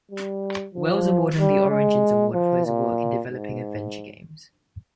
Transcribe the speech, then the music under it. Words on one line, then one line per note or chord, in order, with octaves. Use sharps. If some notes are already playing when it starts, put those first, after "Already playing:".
Wells award and the Origins award for his work in developing adventure games.
G3
F3
G3
G#3
F3
A#2
G#2